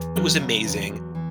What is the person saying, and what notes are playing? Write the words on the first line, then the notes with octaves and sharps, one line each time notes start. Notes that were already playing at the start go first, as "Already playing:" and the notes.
it was amazing.
Already playing: E2
E3 F#3
C#3
E2
E2
E3